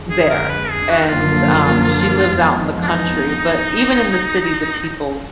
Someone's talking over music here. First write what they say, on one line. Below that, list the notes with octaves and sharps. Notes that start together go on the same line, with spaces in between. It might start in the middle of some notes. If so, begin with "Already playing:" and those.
there, and, um, she lives out in the country, but even in the city the people
Already playing: F2 D3 G#3
G#4
A#4
B4
G#4
F#4
D#4
F#2 D3 F3 A#3 F4
F2 F3 G#3 B3
D4
D#4